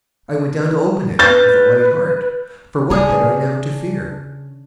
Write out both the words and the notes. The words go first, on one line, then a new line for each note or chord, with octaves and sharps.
I went down to open it with a light heart,--for what had I now to fear?
B4 G6 A6
C#3 C#4 D4 G#4